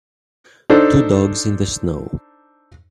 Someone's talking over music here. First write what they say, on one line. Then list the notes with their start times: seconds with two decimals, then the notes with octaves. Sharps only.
Two dogs in the snow.
0.70 D4 D#4 A4 C5